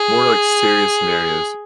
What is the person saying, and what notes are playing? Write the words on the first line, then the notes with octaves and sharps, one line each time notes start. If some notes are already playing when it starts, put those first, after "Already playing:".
more, like, serious scenarios,
Already playing: G#4